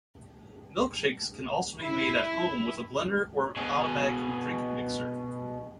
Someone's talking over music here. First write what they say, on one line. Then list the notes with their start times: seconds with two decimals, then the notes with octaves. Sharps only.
Milkshakes can also be made at home with a blender or automatic drink mixer.
1.81 E4
3.57 B2 G#4